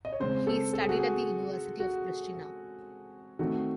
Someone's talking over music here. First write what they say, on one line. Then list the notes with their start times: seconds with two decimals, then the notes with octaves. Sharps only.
He studied at the University of Prishtina.
0.05 D#5
0.13 C#5
0.20 C#3 G#3 C4 C5
0.47 A4
0.73 A4
0.81 G#4
0.89 F#4
0.96 G#4
1.80 F#4
3.39 D#3 A3 C4 F#4